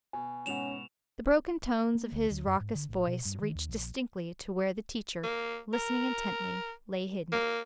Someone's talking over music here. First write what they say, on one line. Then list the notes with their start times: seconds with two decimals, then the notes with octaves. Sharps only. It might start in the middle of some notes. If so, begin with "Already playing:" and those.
The broken tones of his raucous voice reached distinctly to where the teacher, listening intently, lay hidden.
0.13 B2 G#5
0.46 G#2 B2 C#4 F#5 E7 F7
1.95 A#3
2.12 D2
2.30 D2
2.47 F#2
2.60 G#2
2.75 D3
2.89 A1
3.07 B2
3.25 G2
3.42 D#3
3.55 D#2
3.69 A#1
5.24 A#3
5.73 A#4
7.32 A#3